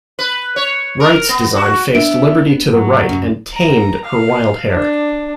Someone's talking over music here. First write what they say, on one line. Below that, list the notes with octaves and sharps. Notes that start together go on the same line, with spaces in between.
Wright's design faced Liberty to the right and "tamed" her wild hair.
B4
C#5
A#4
B3
F#4
B3 D4 E5 D7
G#2 F#3
C2 F#2
A#5
F5
D4